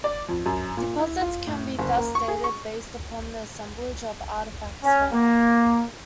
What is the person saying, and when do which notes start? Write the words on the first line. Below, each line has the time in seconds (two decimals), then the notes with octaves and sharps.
Deposits can be thus dated based upon the assemblage of artifacts found.
0.04 D5
0.29 F2
0.46 F#2
0.77 A#2
0.99 E4
1.21 F4
1.47 A2
1.79 F#1
1.97 A#3
2.15 C#6
2.28 G#4
2.44 C#6
4.83 C#4
5.12 A#3